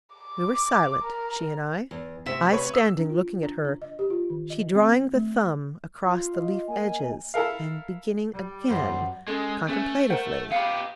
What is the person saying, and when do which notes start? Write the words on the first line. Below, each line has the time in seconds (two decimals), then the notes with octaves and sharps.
We were silent, she and I; I standing, looking at her, she drawing the thumb across the leaf-edges, and beginning again, contemplatively.
0.16 D6
1.04 A#4
1.91 E2
2.26 D2 C3 E5
2.51 B4 C#5
2.74 E6
2.98 D4
3.10 F4
3.43 D4
3.65 D4
3.82 D#5
3.99 G4
4.10 F4
4.30 D#3
4.50 D#5
4.75 C4
5.14 A3
6.05 F4
6.35 D#5
6.68 A#3 G#5
7.34 E4 A4 A#4 F5
8.33 G3
8.70 F#2 C5 F#5
9.27 G#3 C#4 A4
9.68 A3 C#4 B4 E5
10.10 A#4 C5 F#5
10.52 B3 G4 F5 B5